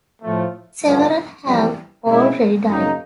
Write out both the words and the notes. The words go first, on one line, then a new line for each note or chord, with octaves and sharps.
Several have already died.
A2 F3 A3
G2 D3 F3
F2 C3 E3 G3
B2 G#3 C#4 E4
F#2 C#3 F#3 A#3 D#4